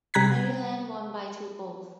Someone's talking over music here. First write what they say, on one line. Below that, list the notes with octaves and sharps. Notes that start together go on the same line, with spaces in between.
Maryland won by two goals.
C3 G3 A#5 F#6 G#6 B6